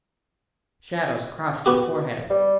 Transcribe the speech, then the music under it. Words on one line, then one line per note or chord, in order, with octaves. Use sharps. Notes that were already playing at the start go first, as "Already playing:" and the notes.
Shadows crossed her forehead.
B3 F#4 G4
G3